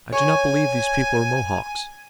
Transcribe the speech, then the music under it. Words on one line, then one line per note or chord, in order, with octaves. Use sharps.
I do not believe these people are Mohawks.
C#5 G#5